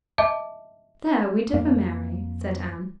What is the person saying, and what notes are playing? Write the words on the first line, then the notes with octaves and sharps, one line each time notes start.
"There we differ, Mary," said Anne.
D#5 E5 A5 D6
F2 A#3